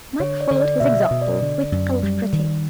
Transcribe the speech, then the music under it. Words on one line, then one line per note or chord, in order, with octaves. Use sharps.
Mike followed his example with alacrity.
D3 C#5
D5
D3
D5
B2 E5
D#5
B2
D5
D3
F#2
G3
D#3